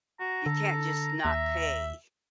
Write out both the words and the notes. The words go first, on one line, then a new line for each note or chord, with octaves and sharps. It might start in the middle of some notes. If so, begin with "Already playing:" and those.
You can't just not pay,
F#4 A#5
D3 A4
D#2 E5